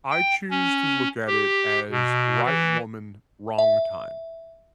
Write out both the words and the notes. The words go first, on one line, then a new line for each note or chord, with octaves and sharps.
I choose to look at it as: right woman, wrong time,
G5
C#4
G4
B2
E3
E5